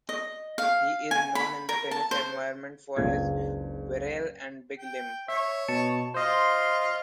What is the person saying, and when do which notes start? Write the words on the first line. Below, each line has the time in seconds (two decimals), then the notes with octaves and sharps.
He is known in the tennis environment for his virile and big limb.
0.09 D#5
0.58 F5
1.11 G#5
1.35 B5
1.69 A#4
1.91 A5
2.11 C5
2.97 F#1 C#2 D4 F4 G#6
4.78 G5
5.28 C#5 E5
5.68 B2 A5 C#7
6.14 F4 C5 D#5 C6